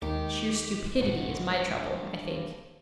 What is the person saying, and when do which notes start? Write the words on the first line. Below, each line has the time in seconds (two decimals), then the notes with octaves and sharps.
Sheer stupidity is my trouble, I think.'
0.02 D#2 D#3 G#3 G4
1.00 G1 E2 G2 A#2 F#5